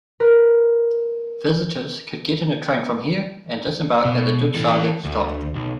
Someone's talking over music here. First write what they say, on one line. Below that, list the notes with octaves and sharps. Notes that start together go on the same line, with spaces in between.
Visitors could get in a train from here and disembark at the Dudhsagar stop.
A#4 B4
B2
E3 A4
D2
B1